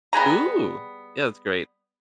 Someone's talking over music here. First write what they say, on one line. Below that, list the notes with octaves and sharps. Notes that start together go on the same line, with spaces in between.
Ooh. Yeah, that's great.
G3 B3 G#4 A#5